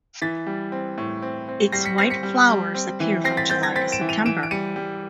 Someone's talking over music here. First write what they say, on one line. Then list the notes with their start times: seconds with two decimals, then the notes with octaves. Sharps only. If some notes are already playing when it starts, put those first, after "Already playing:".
Its white flowers appear from July to September.
0.22 E3 A6 B6
0.47 G3
0.72 C4
0.98 A2
1.22 C4
1.48 C4
1.72 G3 A#6 C7
1.85 B6 C#7
1.98 C4 A#6 C7
2.10 B6 C#7
2.23 G3
2.49 G3
2.75 C4
3.00 E3
3.24 C4 A#6 C7
3.37 A6 B6
3.50 C4 G6 A6
3.63 G#6 A#6
3.75 C4 A6 B6
3.92 D7 E7
4.01 E3
4.09 D#7 F7
4.25 E3 D7 E7
4.43 D7
4.51 G3 C#7 D#7
4.76 G3